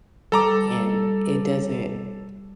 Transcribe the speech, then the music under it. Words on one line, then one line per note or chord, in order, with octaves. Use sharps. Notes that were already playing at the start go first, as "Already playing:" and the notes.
And, it doesn't
G3 A4 A#5 D6